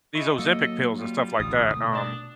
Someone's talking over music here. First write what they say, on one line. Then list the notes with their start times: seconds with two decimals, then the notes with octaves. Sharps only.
these Ozempic pills and stuff like that, um
0.15 D#4 E4 C#6
0.39 F#3 A#3 A4 D#5
0.99 G3 F4
1.40 A1 D2 D#6
1.74 B2 A3
1.93 D4